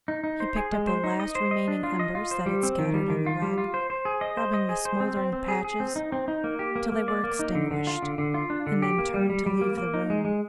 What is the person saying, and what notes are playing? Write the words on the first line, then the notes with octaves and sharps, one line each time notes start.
He picked up the last remaining embers that had scattered on the rug, rubbing the smouldering patches till they were extinguished, and then turned to leave the room.
D#4
D#4
C5
G#4
G#3
C5
D#4
D#5
C5
D#5
D4
F4
D#5
F4
C5
G3
C4
D#3
G3
D#3
F4
G3
F4
C5
C5
G#4
D#5
C5
D#5
G#4
C5
C4
C4
C4
G#4
G#4
C4
D#4
C4
D#4
A#3
G4
A#3
A#3
D5
A#3
D#4
D3
D3
F4
D3
D3
F4
D4
D3
G4
A#3
G3
G3
G3
A#3
A#3
D#4
G#3
G#3